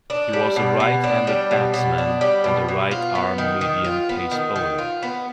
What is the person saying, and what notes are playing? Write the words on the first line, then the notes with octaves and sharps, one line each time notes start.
He was a right-handed batsman and a right-arm medium pace bowler.
D4
G3
B2
B2
D4
G3
B2
B2
D4
G3
B2
B2
F4
B3
D#3
D#3
F4
B3
D#3
D#3
F4
B3